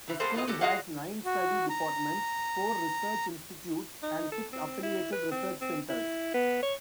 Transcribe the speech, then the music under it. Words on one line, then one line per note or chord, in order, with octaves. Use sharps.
The school has nine study departments, four research institutes and six affiliated research centres.
C3 E3
G3 A#3 B3 G#4 A4 C5
A2 F#3 F4 D#5
F#4 G4 A4
F4 F#4 G#4 D#5 F5 F#5
F#4
A#5
D#4
A4
C4
E4
B4
C4
C4
E4
B3
C#5